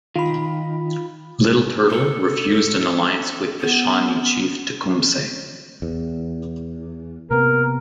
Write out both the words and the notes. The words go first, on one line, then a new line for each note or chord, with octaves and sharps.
Little Turtle refused an alliance with the Shawnee chief Tecumseh.
D#3 F4 B5
A4
B3
E2
C3 A#3 B3 A#4